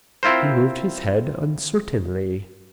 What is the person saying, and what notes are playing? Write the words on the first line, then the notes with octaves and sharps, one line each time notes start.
He moved his head uncertainly.
C4 E4 F4 A#4 C5